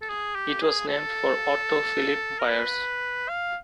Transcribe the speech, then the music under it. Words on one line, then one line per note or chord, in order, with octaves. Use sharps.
It was named for Otto Phillip Byers.
A4
G#4
G4
G#4
A4
A#4
B4
F5